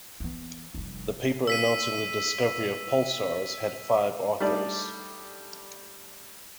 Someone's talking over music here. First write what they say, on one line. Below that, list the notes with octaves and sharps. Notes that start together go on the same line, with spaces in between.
The paper announcing the discovery of pulsars had five authors.
E3 B3
F1 G3
E6 B6 D#7
G3 A3 D4 D#4 A4 D5